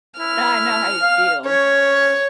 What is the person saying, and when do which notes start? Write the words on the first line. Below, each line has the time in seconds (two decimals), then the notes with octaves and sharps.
No, I know how you feel.
0.19 E4 F6
1.02 F5
1.46 C#4 C#5